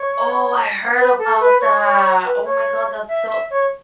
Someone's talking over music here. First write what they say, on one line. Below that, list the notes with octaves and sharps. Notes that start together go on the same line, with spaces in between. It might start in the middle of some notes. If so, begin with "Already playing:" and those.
Oh, I heard about that. Oh my god, that's so
Already playing: C#5
B4
A4
B4
C#5
C#5
B4
C#5
E5
E5
C#5